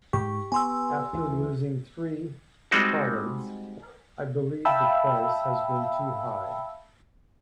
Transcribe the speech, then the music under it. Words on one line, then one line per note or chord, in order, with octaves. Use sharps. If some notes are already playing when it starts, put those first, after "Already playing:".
After losing three colleagues, I believe the price has been too high.
G#2 G4 C#6
B3 G#5 C6 E6
D2 E3
G3 G#3 C4 D#4 F#4
E5 F5 G5 A5 B5 E6